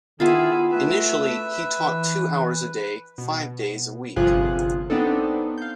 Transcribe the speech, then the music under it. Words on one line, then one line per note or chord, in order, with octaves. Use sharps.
Initially he taught two hours a day, five days a week.
D#3 B3 E4 F4 G#4 E5
A3 B4 E5
E3
B2
G1 C3 F3 F4 G#4 F#6
B3 C4 D4 D#4 A4
F5 G6